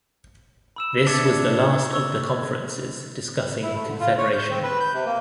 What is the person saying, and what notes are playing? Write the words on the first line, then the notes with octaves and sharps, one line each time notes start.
This was the last of the conferences discussing Confederation.
B5 E6 E7
D4 D5 E5 G#6 A6 C#7
C#6 E6 G#6
E4
A3
D3
F4
C#5
G6
C4
B4
G6
C3
A#3